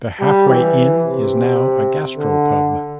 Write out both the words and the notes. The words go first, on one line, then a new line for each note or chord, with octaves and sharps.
The Halfway Inn is now a Gastropub.
G3
E3
C3
D3